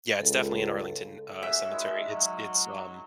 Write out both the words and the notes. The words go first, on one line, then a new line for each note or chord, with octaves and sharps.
Yeah, it's definitely in Arlington, uh, Cemetery, it's it's, um
C#2 A4
C#4 F#4 E5
D#3 G#3 E4
F#3